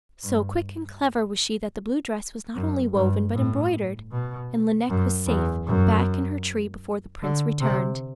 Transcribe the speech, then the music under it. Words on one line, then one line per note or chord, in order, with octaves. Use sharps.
So quick and clever was she that the blue dress was not only woven but embroidered, and Lineik was safe back in her tree before the prince returned.
G2
F#2
G2
A2
B2
F#2
E2
F#2
D3
C3